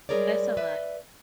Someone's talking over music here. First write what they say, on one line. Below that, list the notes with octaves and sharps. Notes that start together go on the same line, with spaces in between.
That's a lot.
G3 G#3 G#4 A#4 C#5 D5
B4 D5 E5